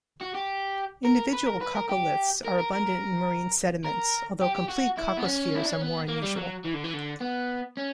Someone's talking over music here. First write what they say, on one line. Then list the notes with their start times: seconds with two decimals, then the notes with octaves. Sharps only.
Individual coccoliths are abundant in marine sediments although complete coccospheres are more unusual.
0.21 F#4
0.34 G4
1.05 A#4
1.33 B4
1.46 A#4
1.61 B4
1.75 A#4
1.90 G4
2.45 A#4
2.58 A#4
2.73 A#4
3.85 A#4
4.41 G4
4.55 G4
4.68 F#4
4.97 E4
5.17 B3
5.24 C#4
5.56 E4
5.63 D4
5.73 C#4
5.82 B3
6.08 A#3
6.23 G3
6.36 F#3
6.65 E3
6.74 D3
6.84 E3
6.94 D3
7.20 B3
7.77 C#4